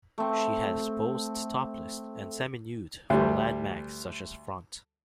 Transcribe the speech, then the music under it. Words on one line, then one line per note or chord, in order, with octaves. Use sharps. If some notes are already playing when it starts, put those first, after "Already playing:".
She has posed topless and semi-nude for lad mags such as "Front".
A3 C4
D2 G3